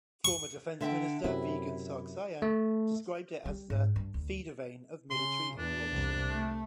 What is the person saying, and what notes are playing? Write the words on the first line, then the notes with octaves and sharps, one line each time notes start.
Former defense minister Vigen Sargsyan described it as the "Feeder vein of military aviation".
C#6
D3 E5 G5
F#2 C3 E4
A3
G3
G#2
G2
D2
C#3 C6
E2 D4
C2 F2
A3